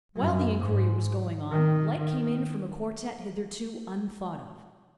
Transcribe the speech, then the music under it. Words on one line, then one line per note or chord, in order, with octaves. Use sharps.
While the inquiry was going on, light came in from a quartet hitherto unthought of.
F#2
G#2
D#3
D#3